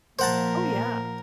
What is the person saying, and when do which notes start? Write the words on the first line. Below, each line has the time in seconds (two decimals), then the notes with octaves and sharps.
Oh, yeah.
0.19 A#2 F3 A#4 C5 F#5 A5